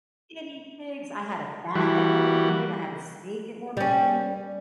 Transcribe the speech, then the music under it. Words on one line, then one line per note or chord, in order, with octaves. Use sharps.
guinea pigs. I had a bat at one point, I had a snake at one point
E3 G3 F#4
G3 C#4